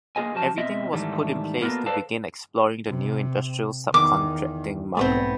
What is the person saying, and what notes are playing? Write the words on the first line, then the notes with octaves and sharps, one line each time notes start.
Everything was put in place to begin exploring the new industrial subcontracting market.
A#3 F4 G#4 D#5 G#5
F#2 F3 F#4 A5
B2 C4 F4 D#5 E5
G#2 D#3 E3 G3 A3
A#3 B3 F4 F#4 A4 A#4
A4 B4 C5 D5 F5 A5
C3
E2 D#3 D6
B1 G#2 A3 B3 C4